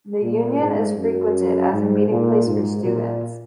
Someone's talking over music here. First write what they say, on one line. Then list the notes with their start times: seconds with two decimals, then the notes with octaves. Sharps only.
The Union is frequented as a meeting place for students.
0.22 A#2
0.59 G#2
0.96 F#2
1.71 G#2
2.08 A#2
2.45 G#2
2.84 A#2